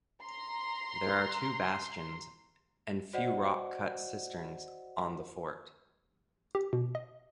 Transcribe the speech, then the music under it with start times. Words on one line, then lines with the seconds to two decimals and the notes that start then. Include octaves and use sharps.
There are two bastions and few rock cut cisterns on the fort.
0.23 A#5 C6
3.13 F#4 C5 D5 D#5 F#5
6.55 G4
6.73 B2
6.95 D#5